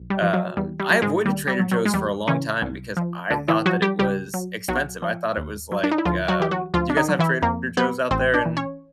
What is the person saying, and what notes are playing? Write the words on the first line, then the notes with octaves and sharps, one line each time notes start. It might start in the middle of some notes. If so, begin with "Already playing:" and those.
um, I avoided Trader Joe's for a long time because I thought that it was expensive. I thought it was like, um do you guys have Trader Joe's out there in
Already playing: B1
G3
F3
F#3
E2 G3
G3
F#3
G#2 G#3
D#2 G3
G3
F#3
F#3
G#3
E2 G3
C#3 E3 C#4
C2
F3
D2 D3 D4
E3 E4
F3 F#3 F#4
G3 G4
C#2 G3 G4
F#3
B1 F#3 F#4
F3
D#2
F#3
D4
D#4
E4
D2 F3 F4
F#3 F#4
E3 G4
F#3 F#4
D2 F3 F4
D4
D#3 D#4
F#3
E3 E4
F2 A#3 A#4
F#3 B3 B4
A1 C4 C5
D4 D5
E3
C#4 C#5